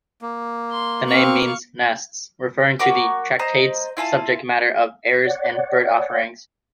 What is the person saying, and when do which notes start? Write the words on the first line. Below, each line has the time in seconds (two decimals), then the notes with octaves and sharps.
The name means "nests", referring to the tractate's subject matter of errors in bird-offerings.
0.22 A#3
0.71 C6
1.08 C4 F5 C#6
2.79 F#4 A#4 C#5 D6
3.39 C5 D#5 A#5 D#6
3.97 E4 F4 G#5 A5
5.25 C#5 D5 F#5